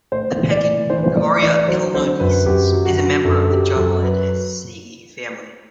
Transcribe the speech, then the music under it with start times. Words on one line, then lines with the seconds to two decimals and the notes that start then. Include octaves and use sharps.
The pecan, "Carya illinoinensis", is a member of the Juglandaceae family.
0.12 A2 C5
0.38 E3
0.51 D5
0.64 A2
0.90 E3 C5
0.98 B4
1.04 C5
1.16 A2 D5
1.42 E3 D5
1.58 D5
1.68 F#3 C5
1.94 D3 C5
2.20 F#2 B4
2.46 F#2 G4
2.73 F#3
2.85 F#4
2.98 D3
3.24 F#2 A4
3.43 A4
3.50 F#3 G4
3.76 F#2 A4
4.02 F#3 B4